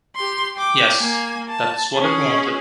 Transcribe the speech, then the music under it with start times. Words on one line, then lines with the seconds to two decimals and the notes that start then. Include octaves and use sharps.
Yes, that's what it wanted.
0.16 G4 C6
0.55 G5 D6
0.99 A#3 G#5
1.49 A5
1.99 C#4 G#4